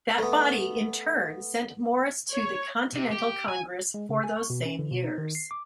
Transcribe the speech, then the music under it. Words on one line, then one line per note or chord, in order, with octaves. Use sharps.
That body, in turn, sent Morris to the Continental Congress for those same years.
A3 B3
C#5
C3
G4
G#5
G#3
C#3
G#5
C#6
B2
C#4
D3
B2
D#4
D#3
C7
D6